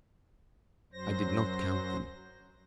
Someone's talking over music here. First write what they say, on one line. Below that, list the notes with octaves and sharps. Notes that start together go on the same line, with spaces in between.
I did not count them.
F#2 F#3 C5 A#6